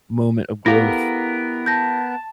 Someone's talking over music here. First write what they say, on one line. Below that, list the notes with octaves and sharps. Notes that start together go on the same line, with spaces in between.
moment of growth
B3 E4 G4 A4 A#4 F5 A#5 A#6
A5 G6 A#6